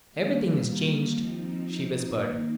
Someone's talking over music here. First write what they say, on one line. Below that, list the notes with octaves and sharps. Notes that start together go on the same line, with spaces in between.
"Everything is changed," she whispered.
D#3 G3 A#3
F3 C4 D#4
D#3 A#3 D#4